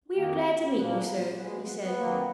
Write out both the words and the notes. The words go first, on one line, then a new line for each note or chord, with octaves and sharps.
"We are glad to meet you, sir," he said.
F2 D#3 A#3
A#2 F3 A#3 B3
B3
A#3
B2 G#3 B3
A#3
B3
B3
F2 D#3 F#3 A#3